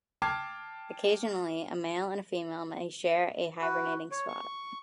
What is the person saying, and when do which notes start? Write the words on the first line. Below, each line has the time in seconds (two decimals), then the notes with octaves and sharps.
Occasionally a male and female may share a hibernating spot.
0.22 G5 A5 D6 F6 G#6 C7
3.62 F#4 B4
4.11 C#5
4.28 C#6